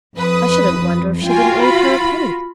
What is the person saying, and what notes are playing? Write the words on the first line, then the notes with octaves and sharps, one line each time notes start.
I shouldn't wonder if she didn't leave her a penny.
F2 B4 D#6
F4 F#4 G5 G#5
B5